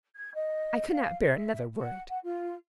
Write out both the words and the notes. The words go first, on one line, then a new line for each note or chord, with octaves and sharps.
I could not bear another word.
G#6
D#5
F5
E5
F#5
F#5
F4